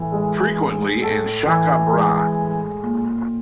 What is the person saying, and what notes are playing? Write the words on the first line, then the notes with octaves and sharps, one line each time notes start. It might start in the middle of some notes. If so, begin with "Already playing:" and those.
Frequently in 'shaka brah'.
Already playing: A2 E3
G#3
A2
A2 A4 A5
E3
G#3
A2
A#2